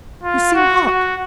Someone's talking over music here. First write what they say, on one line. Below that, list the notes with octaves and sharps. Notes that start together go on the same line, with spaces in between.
"You seem hot."
F4
F#4
F#4